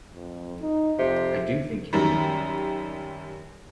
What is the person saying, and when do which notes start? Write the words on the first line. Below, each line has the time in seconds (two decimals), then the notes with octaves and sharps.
I do think you’re mean.
0.13 F2
0.61 D#4
0.99 F2 C3
1.93 F#2 D#3 G3